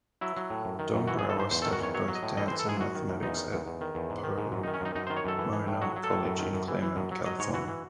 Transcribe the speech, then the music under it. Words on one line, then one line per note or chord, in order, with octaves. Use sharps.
Dombrower studied both dance and mathematics at Pomona College in Claremont, California.
F#3 E4
F#3
A2
F#2
D#3
F#2
E3 F#4
G#4
E3
A4
G#2 C5
E2 C5
A4
D#3
F#4
E2 C#5
F#3 C#5
F#3
D#5
A2
E3 D#5
C5
E3
A4
G#2 G#4
F#2 F#4
D#3
F#2
E2 D#4
D#3
E2
E2
D#3
E2
G#2
D#3
G#2
F#2
D#4
D#3
C#4
F#2 D#4
F#2 D#4
C5
D#3
C#5
F#2 A4
E3
E3
A2
F#3 F#4
F#3
A4
A2
F#2
D#3
F#2
E3
E3
F#2
F#3
F#3 D#5
G#2 C#5
E3 F#4
E3